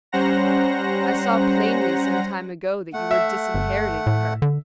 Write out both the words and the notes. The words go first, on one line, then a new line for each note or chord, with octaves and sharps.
I saw plainly some time ago that you were disinheriting her.
G3 C#4 C5 F#5 A#5 A#6
A3 F#5
E5
G1
A2
D3